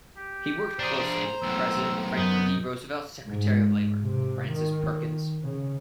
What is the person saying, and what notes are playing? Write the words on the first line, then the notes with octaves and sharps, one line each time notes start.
He worked closely with the President Franklin D. Roosevelt's Secretary of Labor, Frances Perkins.
G4
D4 G#4 C5 A#5
B1 A2 E6
F#2 B3 D#4
G#2
C3
D#3
C#3